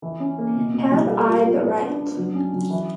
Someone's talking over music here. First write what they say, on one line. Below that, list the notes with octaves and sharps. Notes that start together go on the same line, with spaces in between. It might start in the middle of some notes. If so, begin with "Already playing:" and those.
Have I the Right?
E3
C#4
A#3
B2
B2
G3
A4
F4
F4
B3
D4
D4
F#3
C#4
F#3
E3